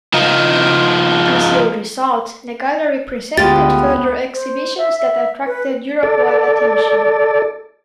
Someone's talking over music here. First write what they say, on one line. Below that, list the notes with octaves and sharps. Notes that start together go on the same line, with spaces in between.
As a result, the gallery presented further exhibitions that attracted Europe-wide attention.
F3 D#4
D2 G#3 B3 F4 G4 A6
C5
E5
E5
B4
A4 D5